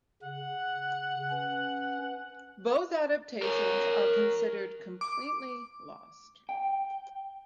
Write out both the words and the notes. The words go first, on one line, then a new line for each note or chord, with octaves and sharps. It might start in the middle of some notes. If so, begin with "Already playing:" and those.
Both adaptations are considered completely lost.
C#3 F#5
C#4 B4
A#4 C#5
D6
G5